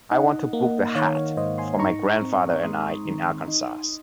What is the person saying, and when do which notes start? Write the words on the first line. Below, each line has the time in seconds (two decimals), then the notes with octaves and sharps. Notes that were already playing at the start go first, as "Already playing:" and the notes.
I want to book The Hat for my grandfather and I in Arkansas.
0.11 D#4 D#5 F#5
0.53 A#3
0.95 D#3 C#5 F5
1.16 C#5
1.37 G#2 C5 D#5
1.58 G#5 C6
1.79 D#4 A#5 C#6
2.21 C4
2.63 G#3 C6 D#6
3.05 D#3
3.48 D#4